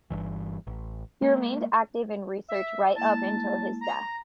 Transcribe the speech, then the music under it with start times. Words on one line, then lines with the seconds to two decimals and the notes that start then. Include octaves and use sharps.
He remained active in research right up until his death.
0.10 G1 C2 G2 E3
0.67 A1
1.22 G#3 A#3
2.49 E5
2.96 G#3 A#3 E4 A5
3.81 A#5